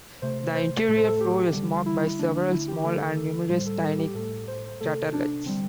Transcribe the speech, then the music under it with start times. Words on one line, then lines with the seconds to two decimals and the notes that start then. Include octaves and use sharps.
The interior floor is marked by several small and numerous tiny craterlets.
0.22 C3 A3 C5
0.55 C5
0.88 A2 A3 A4
0.97 C5
1.07 A4
1.20 G4
1.54 D3 G3
1.86 E4
2.07 E4
2.19 D3 A3 D4
2.35 D4
2.51 E4
2.68 G4
2.84 D3 A3 A4
3.16 A4
3.49 A2 G3 C5
3.66 A4
3.82 A4
3.98 G4
4.14 A2 A3 A4
4.48 C5
4.80 C3 A3 A4
5.13 D4
5.45 D3 G3 C4